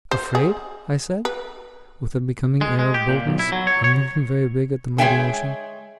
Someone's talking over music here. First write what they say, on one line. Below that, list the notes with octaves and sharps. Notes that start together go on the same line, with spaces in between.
'Afraid!' I said, with a becoming air of boldness, and looking very big at the mighty ocean.
C5
G#4
B4
G#3
G#3
G4
A#2
B1
E4
F#3
C#5
C#5
G#3 G#4 C#5 E5 G5 G#5